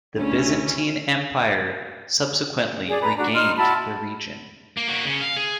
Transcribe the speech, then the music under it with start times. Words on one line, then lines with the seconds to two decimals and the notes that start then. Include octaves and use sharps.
The Byzantine Empire subsequently regained the region.
0.16 D2 C#4 E4
2.89 G#4 D5
3.02 B4 A#5
3.17 D4 F#4
3.34 D#4 C6 F6
3.57 E4 F#4 A5 B5
4.77 A#3
4.89 A#3 F#4
5.05 C#3 C#4
5.21 F5
5.37 G#4